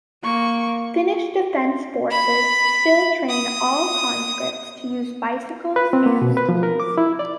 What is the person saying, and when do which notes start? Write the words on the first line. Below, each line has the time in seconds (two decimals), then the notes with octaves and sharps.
Finnish defence forces still train all conscripts to use bicycles and skis.
0.24 A#3 C#6
2.11 B5
3.29 D#6
5.76 B4
5.93 C4
6.06 A#3
6.22 B2
6.37 B4
6.49 F3
6.63 A#4
6.80 D6
6.98 E4
7.19 D5